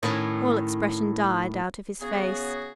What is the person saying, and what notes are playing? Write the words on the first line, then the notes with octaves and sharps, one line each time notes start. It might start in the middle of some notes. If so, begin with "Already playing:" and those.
All expression died out of his face.
A2 D#3 C#4
C#3 B3 F#4 G#4